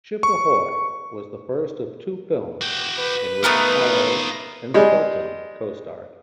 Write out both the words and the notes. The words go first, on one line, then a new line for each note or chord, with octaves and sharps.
"Ship Ahoy" was the first of two films in which Powell and Skelton co-starred.
C#6
F#4 G5
B4
A3 B3 D#4 F4 A#4
G3 G#3